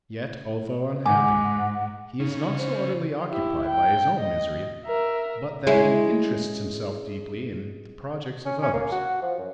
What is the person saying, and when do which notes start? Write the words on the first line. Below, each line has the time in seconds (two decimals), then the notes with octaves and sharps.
Yet, although unhappy, he is not so utterly occupied by his own misery but that he interests himself deeply in the projects of others.
1.06 G#2 F#5 G#5 D6
2.20 C#3 D#4
2.58 C5
3.30 E4 G4
3.67 G5
4.19 D#5
4.86 A#4 E5
5.67 G#3 C#4 E4
8.45 C#4
8.62 C#4
8.74 A#3
8.92 F#4
9.22 F3
9.38 F#2